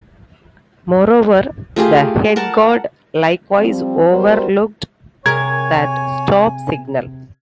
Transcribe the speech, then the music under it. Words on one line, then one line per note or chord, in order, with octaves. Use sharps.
Moreover, the head guard likewise overlooked that "stop" signal.
A3 F4 G4 G#4
A#4 F#5 A5
F3 G3 C4
G3 B3 F#4 A#4 C5
C3 G#4 A#4 C#5 G#5 G#6